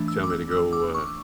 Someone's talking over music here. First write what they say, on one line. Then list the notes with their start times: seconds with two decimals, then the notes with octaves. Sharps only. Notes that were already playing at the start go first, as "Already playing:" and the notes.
tell me to go, uh,
Already playing: E3 A3 D4
0.08 E6
0.23 D6
0.30 E6
0.51 E6
0.73 D6
0.94 C#6